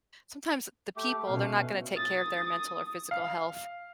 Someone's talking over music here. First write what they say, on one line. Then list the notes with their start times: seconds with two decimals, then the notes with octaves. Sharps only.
sometimes the people, they're not gonna take care of their mental or physical health
0.96 A3 G4
1.26 B2 A3 C#4 F5
1.97 D#6 A6
2.45 D#6
3.11 F5